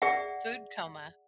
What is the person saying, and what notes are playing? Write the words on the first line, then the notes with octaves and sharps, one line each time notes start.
Food coma.
G#4 D5 E5 F#5